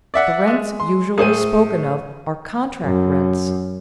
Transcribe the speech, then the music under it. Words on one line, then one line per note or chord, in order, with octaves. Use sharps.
The rents usually spoken of are contract rents.
D5 E5 F#5
G#3
C6
A2 G#4 A4 C5 D#7
F#2